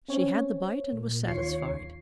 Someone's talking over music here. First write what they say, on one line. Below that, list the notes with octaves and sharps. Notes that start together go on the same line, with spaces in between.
She had the bite and was satisfied.
C4 C#4 C#5
A#2
D#2 F4 C#5 C7